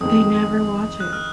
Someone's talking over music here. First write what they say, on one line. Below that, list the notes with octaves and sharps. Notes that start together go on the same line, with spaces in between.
They never watch it.
F2 D#3 G#3 D#6
F#6
F6